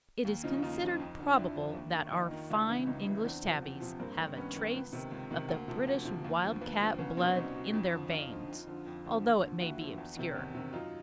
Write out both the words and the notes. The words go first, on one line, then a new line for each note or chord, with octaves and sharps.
It is considered probable that our fine English tabbies have a trace of the British wild-cat blood in their veins, although it may be obscure.
D#2
C#3 F3 D#4 F4
D#2 D#4 F4
C#3 F3
F2
D3 F3
F2 D4 E4
D3 F3
D#2
D#3
D#2 D#4 F4
D#3
C#2 D4 E4
C#3 E3
C#2 C#4 D#4
C#3 E3
E2 C4 D4
C3 F3
E2
C3 F3
G2 A#3 C4
D#3
G2 B3 C#4
D#3
C#2 B3
C3 D#3
C#2
C3 D#3
D2 A#3
C3 F3
D2
C3 F3
D#2
D3 F3
D#2 B3
D3 F3
C2 B3 C#4
B2 C4 D4
C2 C#4 D#4
B2
F2
D3 F3
F2 D#4 F4
D3 F3
F2
D3 F3
F2
D3 F3
D#2
D3 F3
D#2 E4 F#4
D3 F3
E2
C3 D#3
E2
C3 D#3
F#2 D#4 F4